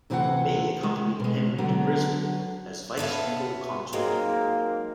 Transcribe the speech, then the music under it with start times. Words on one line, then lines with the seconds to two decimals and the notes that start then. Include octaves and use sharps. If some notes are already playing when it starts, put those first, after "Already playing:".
May accompanied Henry to Brisbane, as vice-regal consort.
0.10 D2 C3 E3 F4 A4 F#5
0.83 G#3
1.20 B2 G#3
1.58 D3 F#3 B3
2.97 B3 A4 C#5 D5 E5 F5
3.93 F#3 G#3 A#3 C4 D#4 F4 G#4